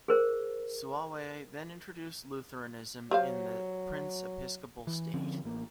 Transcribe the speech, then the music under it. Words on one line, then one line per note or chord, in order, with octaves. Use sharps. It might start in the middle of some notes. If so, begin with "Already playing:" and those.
Suawe then introduced Lutheranism in the prince-episcopal state.
G#4 A#4 C5
F#3 G4 C5 F5
E3
D3 F3 C4 C#4
A1 A#3